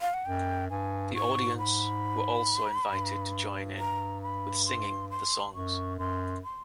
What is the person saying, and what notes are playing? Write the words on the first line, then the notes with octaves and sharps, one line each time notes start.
The audience were also invited to join in with singing the songs.
F5
F#5
F#2 G5
G2 G#5
G#2 C#6
B5
G2
A#5
B5
C6
C6
F#2 C#6
F#2 C6
C6